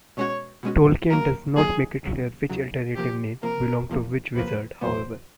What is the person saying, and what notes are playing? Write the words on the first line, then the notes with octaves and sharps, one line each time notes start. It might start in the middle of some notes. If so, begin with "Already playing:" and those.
Tolkien does not make it clear which alternative name belongs to which wizard, however.
B2 G#3 C#4 F#4 C#5
B2 G#3 C#4 F#4
D#3 F#3 A#3 A#4
D#3 F#3 A#3 G#4
D#2 C#3 F#3
D#2 C#3 F#3
C3 F3 A#3 G4
C3 F3 A#3 A#4
E2 C3 F3 A#3
E2 C3 F3 A#3 B4
E2 B2 F#3 B3 C5